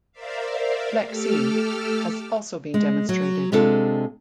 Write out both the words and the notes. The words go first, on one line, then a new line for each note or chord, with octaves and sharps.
FlexE has also been demonstrated.
A#4 C5 D5 E5 F5
A3 G4 A4 D6 E6 F6
G#3
F#3
C3 G#3 D4 F4 A4